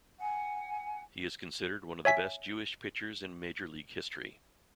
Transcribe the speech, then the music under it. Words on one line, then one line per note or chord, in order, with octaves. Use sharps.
He is considered one of the best Jewish pitchers in major league history.
F#5 G#5
C#5 E5 G#5 B6